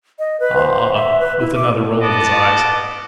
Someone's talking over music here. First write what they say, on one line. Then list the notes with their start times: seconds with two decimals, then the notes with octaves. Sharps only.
'Ah!' with another roll of his eyes.
0.19 D#5
0.40 B4
0.57 C5
0.94 E5
1.20 B4
1.40 E4
1.55 D6
2.01 B3 D5 D#5 A5 D6